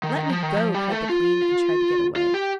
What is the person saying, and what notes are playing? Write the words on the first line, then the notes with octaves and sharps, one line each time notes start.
"Let me go!" cried the Queen, and tried to get away.
D#3
D#3
F3
D#3
F3
G3
A3
F4
F4
G4